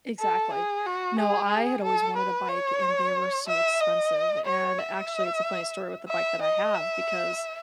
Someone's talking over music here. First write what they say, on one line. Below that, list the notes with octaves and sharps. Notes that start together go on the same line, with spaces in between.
Exactly. No, I had always wanted a bike and they were so expensive. And, actually, it's a funny story with the bike that I have, because
A4
G#4
F#4
G#4
A4
B4
C#5
E5
D#5
C#5
E5
E5
D#5
E5